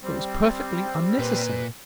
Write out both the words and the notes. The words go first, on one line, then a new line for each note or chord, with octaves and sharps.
It was perfectly unnecessary.
G3 C4
A#2 B4